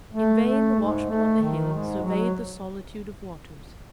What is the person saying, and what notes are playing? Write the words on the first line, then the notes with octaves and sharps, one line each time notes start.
In vain the watchman on the hill surveyed the solitude of waters.
A3
A3
G#2
A3
D#3
G#2
F#3